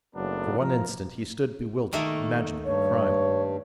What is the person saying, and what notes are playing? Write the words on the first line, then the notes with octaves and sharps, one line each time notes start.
For one instant he stood bewildered,--imagining a crime.
F#1 F#3 A3 B3 D4 A#4
F3 A#4
D#3 A3 A#3
G2 C#5